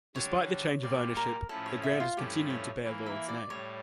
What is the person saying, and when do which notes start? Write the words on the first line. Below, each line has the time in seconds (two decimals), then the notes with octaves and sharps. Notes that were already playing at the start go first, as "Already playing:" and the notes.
Despite the change of ownership, the ground has continued to bear Lord's name.
0.15 D3 G3 D4 C#5
0.82 A#2 G3 A#3 D5
1.17 A#4
1.49 A2 F3 C#4 E4 A4
1.66 C#5
1.83 E5
2.00 F4
2.17 G2 F3 A3 C#4 E4 G4
2.50 C#5
2.83 E3 A#3 E4
3.06 E5
3.29 D5
3.50 A2 G3 C#5